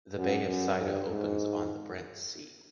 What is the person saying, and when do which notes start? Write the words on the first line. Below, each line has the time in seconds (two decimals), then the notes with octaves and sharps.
The bay of Saïda opens on the Barents Sea.
0.18 F#2
0.48 F#2
0.79 G2
1.10 G#2